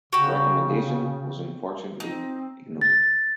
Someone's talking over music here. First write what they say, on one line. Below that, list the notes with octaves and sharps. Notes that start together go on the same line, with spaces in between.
The recommendation was unfortunately ignored.
C#3 F#4 G4
C4 D#4
A6